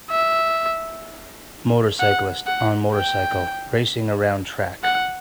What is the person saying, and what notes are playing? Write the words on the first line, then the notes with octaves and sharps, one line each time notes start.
Motorcyclist on motorcycle racing around track.
E5
F#5
F#5
G5
F#5